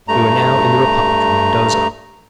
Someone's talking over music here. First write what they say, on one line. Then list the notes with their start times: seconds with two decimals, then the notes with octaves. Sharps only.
We were now in the republic of Mendoza.
0.08 G2 A3 A#5